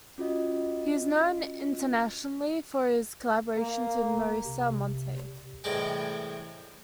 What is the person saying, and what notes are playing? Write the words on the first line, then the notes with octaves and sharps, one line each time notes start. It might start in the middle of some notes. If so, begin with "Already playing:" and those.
He is known internationally for his collaborations with Marisa Monte.
C#4 F4 F#4 D#5
A#3
C3
A2 C3 E3 G3 G#3 G4